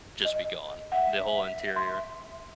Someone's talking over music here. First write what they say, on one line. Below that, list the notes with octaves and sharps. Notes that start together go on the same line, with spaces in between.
just be gone, the whole interior.
D#5
E5 F#5
C6